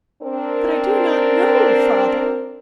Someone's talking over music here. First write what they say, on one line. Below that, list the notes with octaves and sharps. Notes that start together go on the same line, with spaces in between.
"But I do not know, Father!"
C4 D4 A#4